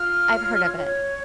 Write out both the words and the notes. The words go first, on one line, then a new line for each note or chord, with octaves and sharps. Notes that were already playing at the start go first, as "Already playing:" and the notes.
I've heard of it.
Already playing: F4 F6
C#5
C#5